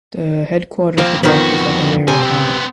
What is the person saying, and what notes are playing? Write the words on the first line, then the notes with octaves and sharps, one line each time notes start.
The headquarter of the block is at Araria town.
F3 A#3 C4
F2 D#3 F3 B3 F#4
B1 A2 C3 G#5
B3 C4